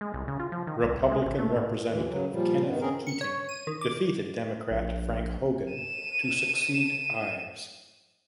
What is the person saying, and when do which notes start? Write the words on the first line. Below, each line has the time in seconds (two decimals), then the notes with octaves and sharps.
Republican Representative Kenneth Keating defeated Democrat Frank Hogan to succeed Ives.
0.01 G#3
0.14 C2
0.28 C#3
0.40 F4
0.52 F3
0.67 D#3
0.83 C2
1.00 C2
1.12 G#3
1.26 A1
1.39 A3
1.56 A2
1.89 D#2 A#2 D3 E3
2.08 C#3 F#3
2.31 A#2 F3 G3
2.66 G2 D#3 B3
2.80 C4 C#4 G#4 A#4
3.07 C#7
3.21 C#5
3.49 D#7
3.67 D#3
3.81 D6
4.70 A#1
5.73 D#7 E7